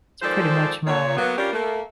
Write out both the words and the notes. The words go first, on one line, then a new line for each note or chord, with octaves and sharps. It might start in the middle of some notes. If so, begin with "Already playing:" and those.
It's pretty much my
D#3 F3 G#3 A4 C5 D5
A#2 C#5
F#3 A#3 B3
G3 C#4 D4 F4 G4 A#4
A3 A#3